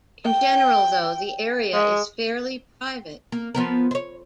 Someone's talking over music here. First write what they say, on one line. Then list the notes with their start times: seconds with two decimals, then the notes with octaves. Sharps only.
In general, though, the area is fairly private.
0.25 G5
1.73 G#3
3.32 A#3
3.54 F3 B3 A#4
3.91 C5 C#5